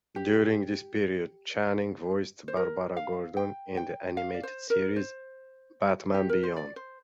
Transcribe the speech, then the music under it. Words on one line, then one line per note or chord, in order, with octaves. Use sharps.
During this period, Channing voiced Barbara Gordon in the animated series, "Batman Beyond".
G4
C5
A#4
F5
G5
G5
F5
D5
C5
A#4
C5
G4
A#4
C5
D5
C5